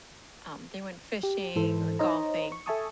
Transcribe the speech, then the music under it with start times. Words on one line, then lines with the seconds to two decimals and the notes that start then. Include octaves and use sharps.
um, they went fishing or golfing.
1.23 G4
1.56 G#2 E3 A4 C5
1.99 D#4 C5 C#5 D#5 A#5
2.52 C#6
2.66 A4 E5 G#5 A5 C#6 D#6